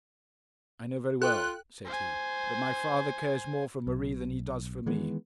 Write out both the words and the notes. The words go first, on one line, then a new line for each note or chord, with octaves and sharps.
'I know very well,' said he, 'that my father cares more for Marie than he does for me.'
F4 A4 G5 F#6
C5 G#5
B1
D#3 E3 G#3 B3